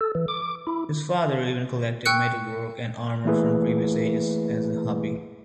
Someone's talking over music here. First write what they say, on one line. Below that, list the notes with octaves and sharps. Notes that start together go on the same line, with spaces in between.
His father even collected metalwork and armour from previous ages as a hobby.
A4
E3
D6
E4
G5 C#6 E6 F#6 C#7
E3 A3 A#3 E4 G#4 B4